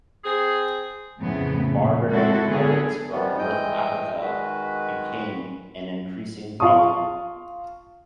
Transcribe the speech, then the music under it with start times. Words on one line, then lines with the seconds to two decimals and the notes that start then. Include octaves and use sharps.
Barbary pirates from North Africa became an increasing problem.
0.24 C4 G#4
1.19 F2 A2 C#3 A3 B3
1.74 A#2 F3
2.11 G#3 C4 E4 F#4 A4
2.47 D3 B3 G#4 A4
3.12 F#2 C3 D#3 F3 G3 B3
3.39 G2 E3 G#3 D#5 G5 G6
4.21 D#3 G#3 F#4 B4
6.60 F4 F5 A5 C#6 D#6